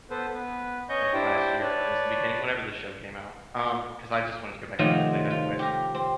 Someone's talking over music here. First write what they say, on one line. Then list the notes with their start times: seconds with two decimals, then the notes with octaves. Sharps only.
like, last year, it was the beginning whenever the show came out, um 'cause I just wanted to go back through and play it anyways,
0.10 B3 A4 B4 C5
0.33 B3 B4
0.89 C#4 C#5 D#5 C#6 G6
1.13 D4 E4 G4 C5 G5 A5
1.61 B4 C#5 D5 A5
4.79 C3 D#3 F3 F#3 A3 F4
5.30 F4
5.59 G4 A#4
5.94 C4